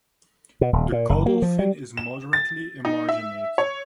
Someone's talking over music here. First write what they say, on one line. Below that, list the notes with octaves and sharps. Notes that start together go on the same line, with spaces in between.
The caudal fin is moderately emarginate.
B2
D#1
A#2
F#1
A#3
F3
G3
E7
A6
D#4
E5
C#5